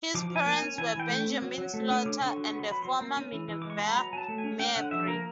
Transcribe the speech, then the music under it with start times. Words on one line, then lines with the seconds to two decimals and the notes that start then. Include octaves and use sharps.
His parents were Benjamin Slaughter and the former Minerva Mabry.
0.14 F3 D6
0.30 F3
0.36 G#5
0.46 A#3
0.57 G#5
0.62 C#4
0.78 E3 G#5
0.95 E3 G5
1.10 A3
1.26 C4
1.42 F#3
1.58 F#3
1.74 A3
1.90 C#4
2.05 D3 D6
2.21 D3
2.27 C#6
2.37 F#3
2.47 C#6
2.53 B3
2.59 C6
2.70 F#3 B5
2.82 F#3 C6
3.01 A#3
3.17 C#4
3.32 E3
3.48 E3
3.62 D6
3.65 G#3
3.70 C#6
3.79 B3 C6
3.87 B5
3.96 F#3 A#5
4.13 F#3 G#5
4.18 A5
4.28 A3
4.38 G#5
4.44 C#4
4.59 C#4 G5
4.76 D3 F#5
4.91 F3 E5
5.07 A#3 A#4